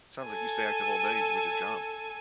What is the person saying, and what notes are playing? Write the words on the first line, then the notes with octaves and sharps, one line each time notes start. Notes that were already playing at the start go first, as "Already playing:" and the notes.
it sounds like you stay active all day with your job.
A4 G#5